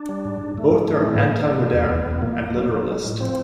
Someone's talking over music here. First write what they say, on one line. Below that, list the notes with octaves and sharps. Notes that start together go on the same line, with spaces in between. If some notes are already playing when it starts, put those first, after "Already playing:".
Both are "antimoderne" and literalist.
Already playing: D4
G3
G#2
G#2
G#2 A3
G#2
E3 D4
C#4
A2 C4
B3
G#3 A#3
G#3
B2
E2
A#3
E2 B3
B3
E2
B3
A#2 A#3
A#2
F#3
F#3
G#3
A2
F3 C4